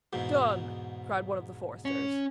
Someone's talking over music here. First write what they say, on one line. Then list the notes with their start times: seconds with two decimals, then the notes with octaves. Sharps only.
"Done!" cried one of the foresters.
0.13 E2 G#2 B2
1.85 C#4